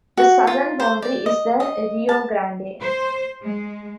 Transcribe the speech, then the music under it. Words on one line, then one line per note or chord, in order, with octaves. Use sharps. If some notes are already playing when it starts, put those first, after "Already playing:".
The southern boundary is the Rio Grande.
F#4
F4
C5
D5
D#5
D#5
A5
C5
G#3